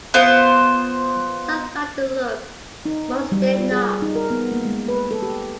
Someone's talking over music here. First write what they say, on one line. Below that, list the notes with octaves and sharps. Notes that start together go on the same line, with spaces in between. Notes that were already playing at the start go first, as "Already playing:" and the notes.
Some liked the look, most did not.
B3 F4 C5
D#4
G3
F4
G#4
D#4
A#4
B3
A#3
G#3
B4
A4
G4